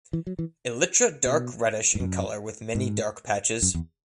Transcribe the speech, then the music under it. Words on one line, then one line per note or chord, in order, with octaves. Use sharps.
Elytra dark reddish in color with many dark patches.
E3
F#3
E3
B2
G#2
F#2
G#2
F#2
E2